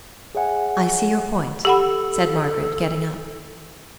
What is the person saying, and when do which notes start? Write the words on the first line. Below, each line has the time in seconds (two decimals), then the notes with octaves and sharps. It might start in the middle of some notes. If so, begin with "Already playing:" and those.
"I see your point," said Margaret, getting up.
0.35 G#4 C#5 E5 F#5 G#5
1.65 G4 A4 F#5 B5